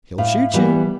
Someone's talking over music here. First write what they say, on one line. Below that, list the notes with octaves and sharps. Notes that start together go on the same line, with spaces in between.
"He'll shoot you."
A2 F5
E3 G3 B3